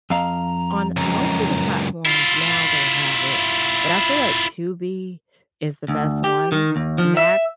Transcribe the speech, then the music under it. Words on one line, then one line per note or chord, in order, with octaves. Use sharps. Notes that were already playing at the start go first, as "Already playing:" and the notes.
on most of the platforms now, they have it, but I feel like Tubi is the best one. Max,
F2 F5 A#5
C#2 F#2 A#5
E4 F4
D2
G4
D#3
D#2
F3
E5